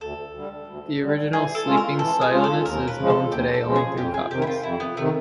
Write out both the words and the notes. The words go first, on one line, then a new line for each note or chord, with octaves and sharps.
The original Sleeping Silenus is known today only through copies.
D2 A4
D3 G3
D2
D3 G3
E3 G#4
A4
G#3 C#4 F4
A#4
E3 A4
G#4
G#3 C#4 F4
A4
D#2 A#4
B4
C#3 F3 G#3
A4
D#2 G4
A4
C#3 F3 G#3
G#4
F2 G4
G#4
C3 D#3 G4
E4
F4
F2 E4
B3
C3 D#3 A3